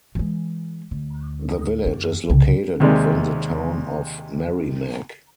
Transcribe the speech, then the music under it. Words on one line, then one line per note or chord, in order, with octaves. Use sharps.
The village is located within the Town of Merrimac.
E3 G#3
D2
F#2 C4
C2 C#3
D#2 C3 G#3 D5